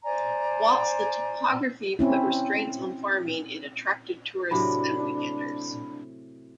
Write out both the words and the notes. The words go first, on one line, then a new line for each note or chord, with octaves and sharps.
Whilst the topography put restraints on farming it attracted tourists and weekenders.
C5 D5 G#5 A#5
C4 C#4 E4
A2 C3 F#3 D4 B5